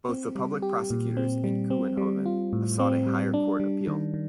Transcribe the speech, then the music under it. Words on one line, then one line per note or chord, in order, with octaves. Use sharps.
Both the public prosecutors and Kouwenhoven have sought a higher court appeal.
C4
G3
G4
A#2
C4
G3
C4
G3
F4
A2
C4
G3
D4
G3
D#3
D#3